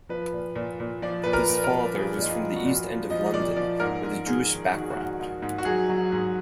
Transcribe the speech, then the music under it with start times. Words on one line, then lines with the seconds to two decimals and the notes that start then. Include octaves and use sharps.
His father was from the East End of London with a Jewish background.
0.09 F3 B4
0.33 A#2
0.55 A#2
0.80 A#2
1.02 F3 D5
1.24 A#2 B4
1.33 A#4
1.49 A#2
1.64 A#4
1.72 F3
1.95 F3 G#4
2.18 A#2 D#4
2.26 F4
2.41 F3
2.56 F#4
2.65 A#2
2.87 F3
3.10 F3 D#5
3.26 D#5
3.33 A#2 D5
3.57 F3 D5
3.80 G#2 A#4
4.03 G#2
4.26 G#2 G#4
4.50 D#3
4.73 D#3 F#4
4.81 G#4
4.90 F#4
4.96 G#2
5.20 G#2
5.42 G#2
5.58 F#4
5.65 F#3 G#4
5.89 F#3
6.12 G#2 G#4